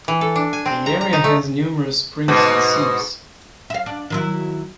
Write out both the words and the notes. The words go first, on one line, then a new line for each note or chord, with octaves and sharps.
The area has numerous springs and seeps.
E3
A4
D4
G#5
C4
A#5
A#5
D#4
A3
G#2 B2
E5 F5
D4
D#3 F#3 E4